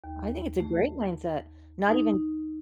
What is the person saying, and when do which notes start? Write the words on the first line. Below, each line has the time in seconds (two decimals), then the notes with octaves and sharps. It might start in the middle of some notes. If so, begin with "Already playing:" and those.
I think it's a great mindset. Not even
0.04 D#2
0.60 A3
1.88 D#4